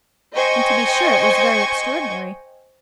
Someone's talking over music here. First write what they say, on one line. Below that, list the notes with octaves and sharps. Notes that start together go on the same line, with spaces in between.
And to be sure it was very extraordinary.
C5 D#5 G5 G#5 C#6